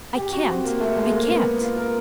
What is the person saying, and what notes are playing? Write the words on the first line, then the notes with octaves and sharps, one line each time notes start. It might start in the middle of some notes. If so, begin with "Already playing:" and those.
"I can't--I can't!"
G4
F#4
C4
A#3
A3
G#3
A#3
B3
F4
A#4